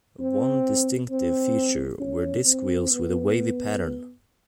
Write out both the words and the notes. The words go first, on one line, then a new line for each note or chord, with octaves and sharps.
One distinctive feature were disc wheels with a wavy pattern.
C4
C4
C#4
C4
B3